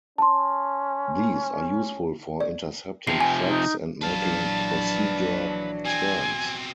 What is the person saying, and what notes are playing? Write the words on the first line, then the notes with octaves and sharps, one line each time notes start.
These are useful for intercepting tracks and making procedure turns.
C#4 A5 C6
D5
C3 F3 G5 C7
G#5
D#4
A#1 E3 F#3 D4 B4 F5 A5
B2 C4 G#5